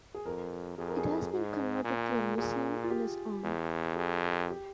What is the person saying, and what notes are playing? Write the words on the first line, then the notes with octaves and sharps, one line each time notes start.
It has been converted to a museum in his honor.
G#4
F2 A#4
F2 G#4
A#4
G#4
G#2
A#2
A#2 G#4
F4
G4
E2
F2 G#4
G4